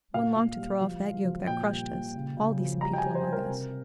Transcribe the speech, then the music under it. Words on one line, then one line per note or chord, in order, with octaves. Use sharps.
One longed to throw off that yoke that crushed us, all decent people among us.
A#2 F5
A#2
G3
F3
G#3
F3
A#2 G5
G3
A#2
C#3
C#3
F3
G3 A#5
G5
G#5
G3
C5
G3
A#4
C3